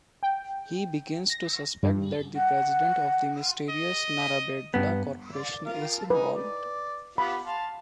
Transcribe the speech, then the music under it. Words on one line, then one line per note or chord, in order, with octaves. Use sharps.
He begins to suspect that the President of the mysterious Narabedla corporation is involved.
G5
A#6
G2
F#5
D#5
G2 B3
D5
F4 A#4 F5
D#4 B4 G#5
D5
B3 F4 G4 B5
F5 A5 C6